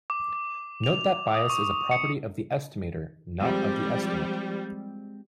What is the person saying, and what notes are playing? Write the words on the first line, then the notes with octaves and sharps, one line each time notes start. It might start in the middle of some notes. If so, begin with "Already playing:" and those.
Note that bias is a property of the estimator, not of the estimate.
D6
F7
D#6
C#6
C#7
F3 G3 G#3 C4